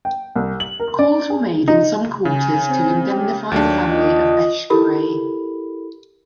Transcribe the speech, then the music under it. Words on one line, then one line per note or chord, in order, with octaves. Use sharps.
Calls were made in some quarters to indemnify the family of Echegaray.
G5
C2
F#7
A#4
D5
G#4
D#4
C#3 G#5
C4
G4
D#2 F#3 A3 D4
F4 D#5
E4 G4 A4 A#4 B5